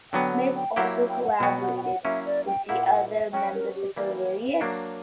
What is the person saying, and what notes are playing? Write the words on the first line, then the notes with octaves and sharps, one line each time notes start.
Smith also collaborated with the other members of Delirious?
D3 F#3 B3 G5
F#5
G5
F#3 A#3 E4 G4 F#5
E5
G5
F#5
B2 F#3 B3 F#4 G5
F#5
G5
F#5
F#3 A#3 C#4 E4 E5
D5
G5
A#2 A#3 E4 G4 F#5
F#5
E5
F#3 C#4 F#4 G5
A#4
G4
E3 G3 A#3 D5
C#5
F#3 A#3 D4